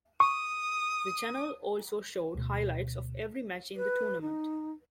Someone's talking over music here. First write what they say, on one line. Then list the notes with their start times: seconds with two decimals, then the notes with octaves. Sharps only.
The channel also showed highlights of every match in the tournament.
0.20 C#6 D#6
2.35 D2 B2
3.76 B4
4.21 D#4